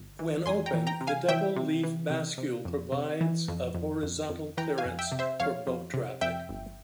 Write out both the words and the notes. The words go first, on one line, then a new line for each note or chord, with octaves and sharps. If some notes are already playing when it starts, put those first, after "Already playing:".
When open, the double-leaf bascule provides of horizontal clearance for boat traffic.
Already playing: G1
E3
F2 G#5 C6
G5 A#5
E3
G5 A#5
C3
F5 G#5
E3 E5 G5
C3
E3
C3
C3
F2
C3
E3
F2
F2
F2
F2
E3 G5 A#5
F5 G#5
F2
E5 G5
C3
C5 E5
F2 C#5 F5
F2
C3
F2 E5 G5
G1